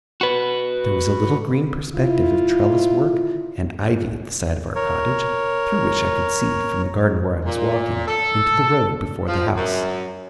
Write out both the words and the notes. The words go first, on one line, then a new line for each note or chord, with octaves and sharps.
There was a little green perspective of trellis-work and ivy at the side of our cottage, through which I could see, from the garden where I was walking, into the road before the house.
F#4 B4
E4 F4
A#4 C#5
A#2
A4
F3
F#2